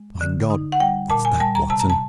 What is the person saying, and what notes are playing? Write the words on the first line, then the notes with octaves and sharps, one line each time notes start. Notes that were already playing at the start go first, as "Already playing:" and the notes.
"My God, what's that, Watson?"
Already playing: G#3
D3
D#4
F#5
G3 G5
A#2 A5
G#5
G3 A5
A#5
C3 A5
A#5
A5